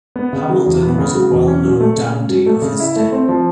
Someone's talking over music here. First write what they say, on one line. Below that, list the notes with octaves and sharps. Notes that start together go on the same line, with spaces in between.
Hamilton was a well-known dandy of his day.
B3
C#3
F#3
E2
B3
C#3
F#3
E2
C#4
F#3
A3
C#3
C#4
F#3
A3
C#3
E4
A3
C4
F3